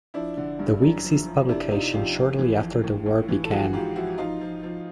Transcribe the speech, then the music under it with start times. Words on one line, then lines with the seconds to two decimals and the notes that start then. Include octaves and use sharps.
"The Week" ceased publication shortly after the war began.
0.14 F3 D4 E4
0.37 D3
0.59 G2
0.82 F#2
1.04 F3
1.26 F3
1.49 C3 D4 E4
1.71 C3 D#4 F4
1.94 F2 F4 G4
2.16 F2
2.39 E3
2.61 F2
2.84 A2
3.06 A2
3.28 E3
3.45 A4
3.50 F3 F#4 G#4
3.73 G#2 F4 G4
3.96 F3 E4 F#4
4.18 F3 D#4 F4
4.41 F3
4.63 F3